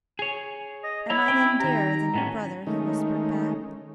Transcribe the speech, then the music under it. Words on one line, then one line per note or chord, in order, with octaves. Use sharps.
"Am I then dearer than your brother?" he whispered back.
G#4 C#5
D#5
E4 C#5 A#5
C4 C#4 G5
D#3 G4 A#5
A2 B3 C#4
D#3 G#3 A3 C#4 D#4